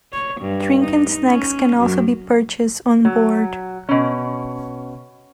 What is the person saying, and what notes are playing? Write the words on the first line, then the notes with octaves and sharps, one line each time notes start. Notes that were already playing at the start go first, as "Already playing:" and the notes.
Drinks and snacks can also be purchased on board.
C#5
G2
D#4
C#4
F#2
F#3
B2 C#4